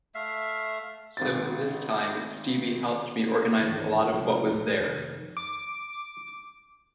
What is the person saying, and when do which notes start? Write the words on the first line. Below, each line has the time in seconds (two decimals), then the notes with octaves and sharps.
So, this time, Stevie helped me organize a lot of what was there.
0.15 A3 E5 F5
1.17 G#1 C4 A6
3.63 G#1 D2 E3
4.13 C2 C#3 F3
4.51 E1 A2 A3
4.78 F1 F2 D#3
5.37 D6